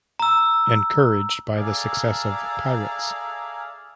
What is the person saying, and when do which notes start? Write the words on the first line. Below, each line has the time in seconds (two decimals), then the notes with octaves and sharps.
Encouraged by the success of Pirates!
0.20 A#5 E6
1.56 G#4 A4 D5 E5 F5 A#5